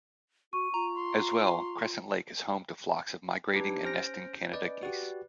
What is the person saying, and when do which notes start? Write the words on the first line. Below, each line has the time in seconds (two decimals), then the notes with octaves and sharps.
As well, Crescent Lake is home to flocks of migrating and nesting Canada geese.
0.53 F#4 C#6 D#7
0.74 F4 A#5
0.95 C6
3.53 D4 D#4 G4 B4
3.84 C#4 C5 F6 G6 A#6 D7
4.52 B4 D5 D#5
4.83 F#4 G4 B4 D5